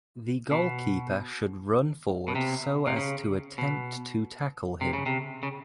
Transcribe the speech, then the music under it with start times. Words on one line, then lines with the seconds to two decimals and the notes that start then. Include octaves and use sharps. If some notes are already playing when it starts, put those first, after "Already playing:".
The goalkeeper should run forward so as to attempt to tackle him.
0.51 B2
2.28 B2
2.35 C3
2.87 C3
2.97 C#3
3.58 B2
4.81 C3
4.93 C#3
5.06 C3
5.43 C#3